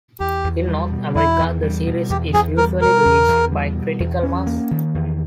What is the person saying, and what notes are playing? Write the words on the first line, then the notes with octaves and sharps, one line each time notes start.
In North America, the series is usually released by Critical Mass.
E2 G4
E2
G3
B2
E2 E4
E2
G3
B2
E2 G4
E2 G#4
G3 A#4
B2 A#4
E2
E2
G3
B2
E2
C#4
A#3
D#3
E2